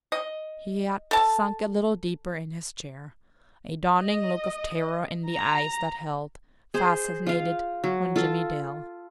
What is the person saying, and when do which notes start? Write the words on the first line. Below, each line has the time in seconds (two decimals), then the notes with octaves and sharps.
He had sunk a little deeper in his chair--a dawning look of terror in the eyes that held, fascinated, on Jimmie Dale.
0.12 D#5
1.11 A4 A5
3.99 D#5
5.28 A#5
6.74 G#4 C5
7.27 F4 F5
7.84 F#3
8.16 F4 A4